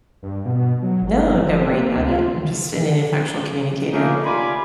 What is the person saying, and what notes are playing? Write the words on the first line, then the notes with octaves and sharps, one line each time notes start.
No. Don't worry about it. I'm just an ineffectual communicator.
G2
B2
F#3
G#1
G1
F3
C4
A#3
D2
F4
D3 F3 A3 A#3 C#4 D#4
F4 G4 D5 G#5 B5